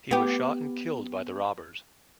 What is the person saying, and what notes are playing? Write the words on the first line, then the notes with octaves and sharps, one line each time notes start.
He was shot and killed by the robbers.
B3 G4